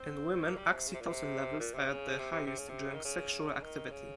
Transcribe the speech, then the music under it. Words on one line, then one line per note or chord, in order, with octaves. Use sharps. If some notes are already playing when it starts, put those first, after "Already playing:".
In women, oxytocin levels are at their highest during sexual activity.
Already playing: C4
A#3
G3
C3
C#3
C3
A#2
C3
A#2
C3
C#3
C3
C3
C3
C#3
C3
D#3
C#3
D#3
C#3